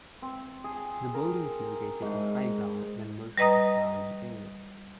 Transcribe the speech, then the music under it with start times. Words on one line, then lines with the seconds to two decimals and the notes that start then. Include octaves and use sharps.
The building is located on higher ground than most of the surrounding area.
0.22 C4
0.64 G#4
1.14 A#4
2.02 G#2
3.38 G3 B4 D#5 A#5 D#6